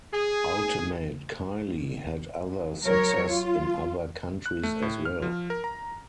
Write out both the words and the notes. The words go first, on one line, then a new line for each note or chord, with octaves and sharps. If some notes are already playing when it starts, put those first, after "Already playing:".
"Ultimate Kylie" had other success in other countries as well.
G#4
F#3 A#4 C#5
F4
F#6
A3
A2
F6
F3
A#4
A#5